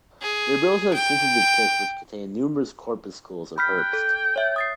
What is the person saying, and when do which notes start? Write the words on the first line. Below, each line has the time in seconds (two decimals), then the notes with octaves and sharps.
Their bills have sensitive tips which contain numerous corpuscles of Herbst.
0.21 G#4
0.93 G5
3.58 G5 B5 F6 B6
3.79 F#6
3.93 A4
4.36 C#5 E5
4.56 D#6 A6 C7